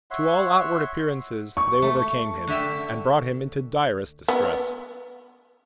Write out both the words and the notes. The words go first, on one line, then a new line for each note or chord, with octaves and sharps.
To all outward appearances they overcame Him and brought Him into direst distress.
C#5 E5 F#5 C6
C#6
A3
D3 E5 G5
B3